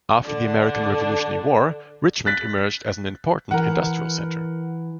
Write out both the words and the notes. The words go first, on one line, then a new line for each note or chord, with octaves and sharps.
After the American Revolutionary War, Richmond emerged as an important industrial center.
D3 D4
F#6 A6 B6
E3 A#4 F#5